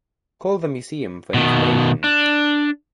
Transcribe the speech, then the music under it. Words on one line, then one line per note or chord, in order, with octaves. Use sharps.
Call the museum for information.
B2 D#3
D4